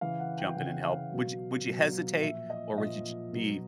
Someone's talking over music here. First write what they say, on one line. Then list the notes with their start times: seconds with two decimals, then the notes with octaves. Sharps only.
jump in and help- would you would you hesitate or would y be
0.01 C#3 E3 F5
0.20 F#5
0.38 G5
0.56 C#3 E3 F#5
0.84 F5
1.11 B2 F#3
1.67 B2 F#3
2.22 A#2 F3 E5
2.50 D#5
2.78 A#2 F3 D#5
3.33 B2 F#3